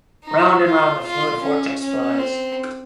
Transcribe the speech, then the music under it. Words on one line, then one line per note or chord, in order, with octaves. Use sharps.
Round and round the fluid vortex flies.
D#4
F4
F4
C#4
C#4
C4